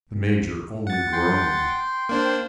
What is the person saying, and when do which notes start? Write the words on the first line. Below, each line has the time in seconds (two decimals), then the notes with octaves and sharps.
The Major only groaned.
0.87 F#5 A6
1.13 G5 C6
2.09 A#3 D4 C5